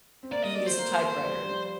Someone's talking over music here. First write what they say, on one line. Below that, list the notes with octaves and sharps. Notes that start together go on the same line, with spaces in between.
he used a typewriter.
C4
A#3 D5
D#5
A3 D5
C5
A#3
A3
F3
G3
G3
F3